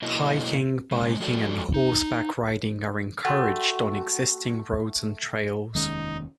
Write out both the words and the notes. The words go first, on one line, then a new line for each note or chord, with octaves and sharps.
Hiking, biking and horseback riding are encouraged on existing roads and trails.
B2 F#3 A#3 E4 A#4 D#5
C3 G#3
F3 F#3 G#3 F#4 A4 D5
D#4
A3 F#4 F#5 G5 C6
F1 D#2 D#3 G#3 C#4 D#4